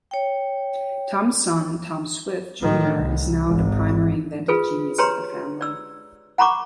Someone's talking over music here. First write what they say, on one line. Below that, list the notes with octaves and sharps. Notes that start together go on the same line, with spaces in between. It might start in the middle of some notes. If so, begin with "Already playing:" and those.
Tom's son, Tom Swift, Junior is now the primary inventive genius of the family.
C#5 G5
A2 D#3
C2
G#1
F4 G#4 A4 B4
G4 B4 C#5 A#5 C6
D5 E6
F#5 A#5 B5 C#6 D6